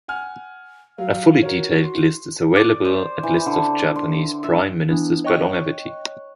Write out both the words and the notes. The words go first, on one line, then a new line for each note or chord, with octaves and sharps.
A fully detailed list is available at List of Japanese prime ministers by longevity.
F#5 G#5 F6
F#3 F5
F#4 A#4 C#5
C6
D5
C5
E3
D3
C6
E5
E3 B3 D4 E4
C#5 D#5 G5 C#6 F#6